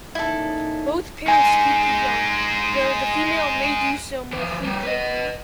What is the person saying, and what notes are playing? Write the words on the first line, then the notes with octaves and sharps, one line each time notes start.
Both parents feed the young, though the female may do so more frequently.
A#2 C#4 D#4 E4 A4
G#3 D#4 G#5
E3 F3
E3 G3
B4 D#5